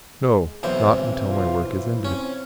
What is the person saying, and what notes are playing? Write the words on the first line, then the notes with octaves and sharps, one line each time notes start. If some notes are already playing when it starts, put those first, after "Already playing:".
"No; not until my work is ended."
G#3
B1 E3 C4 C5
C4
F4
E4
C4 C#4